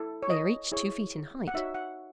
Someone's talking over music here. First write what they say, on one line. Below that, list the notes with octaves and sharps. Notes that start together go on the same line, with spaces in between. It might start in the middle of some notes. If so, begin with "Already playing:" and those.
They are each two feet in height.
Already playing: E4 A4
C#5
D#5
E4 G#4 C#5
F#5
D#4 F#4 C#5 E5
F#5